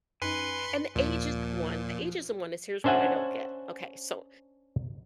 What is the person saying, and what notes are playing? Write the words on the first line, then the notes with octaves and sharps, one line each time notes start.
And the ageism one, the ageism one is here's one I don't get, okay, so,
F#2 C#4 D#4 B4 G#5 C6 C#7
D#2 A#2 F3
C#4 D4 C5 E5 F#5 G#5